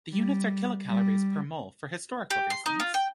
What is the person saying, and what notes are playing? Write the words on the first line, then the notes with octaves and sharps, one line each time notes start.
The units are kilocalories per mole for historical reasons.
G3
G3
G4
C6
D#4
F4
G5